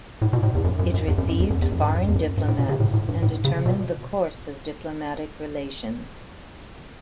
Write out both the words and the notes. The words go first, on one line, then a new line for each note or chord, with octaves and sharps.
It received foreign diplomats and determined the course of diplomatic relations.
A2
B2
A2
E2
F#2
F#2
F#2
E2
F#2
F#2
E2
F#2
E2
F#2
G2
F#2
E2
F#2
G2
A2
B2
C#3
A2
A2
G2
A2
C#3
B2